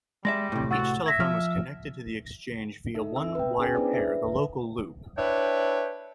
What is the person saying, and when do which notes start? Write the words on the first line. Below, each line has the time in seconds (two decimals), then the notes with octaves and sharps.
Each telephone was connected to the exchange via one wire pair, the local loop.
0.25 G3 G#3 D5 E5 A#6
0.52 A2 C3
0.71 F#4 F#5 E6 A6
1.06 E5 G#6 A#6 B6
1.20 F3 F6
2.95 D#4 A4 E5
3.16 C4 E5 E6
3.35 B4 G5
3.59 B3 C#4 G#4 B4 G5 G#5
3.75 D4 E4 G4 G#4 C5 D5
3.92 B4 E5
5.16 D4 E4 B4 C#5 G5